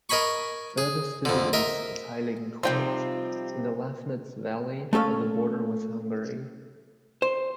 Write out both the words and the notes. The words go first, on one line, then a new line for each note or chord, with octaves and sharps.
Furthest to the east is Heiligenkreuz in the Lafnitz valley, on the border with Hungary.
A#4 D#5 G#5 B5 C#6
G#4
F2 D3
A#4 D#5 E5
C3 F3 G3 C4 D#4 F4 G5
A3 C#4 A4 F5
C5